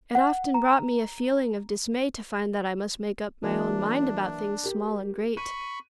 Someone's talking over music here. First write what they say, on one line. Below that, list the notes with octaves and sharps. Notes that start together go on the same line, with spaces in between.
It often brought me a feeling of dismay to find that I must make up my own mind about things small and great.
F#5
A#5
E3 F#3 A#3 D4
G4 A#4
B5 C#6 D#7